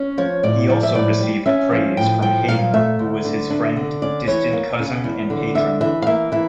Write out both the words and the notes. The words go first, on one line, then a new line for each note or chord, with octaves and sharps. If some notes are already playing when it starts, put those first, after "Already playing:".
He also received praise from Haydn who was his friend, distant cousin and patron.
Already playing: C#4
F3 C#5
A2 D5
F3 D5
E5
A2 D5
G3
C#4 E5
F3
A2 G5
F3 G5
A#2 F5
A3 E5
D2
D3
D4
D3
C#4 D5
E3 C#5
A#3
C#3
E2
D3
D4 E5
E3 E5
F5
A#3 E5
E3 E5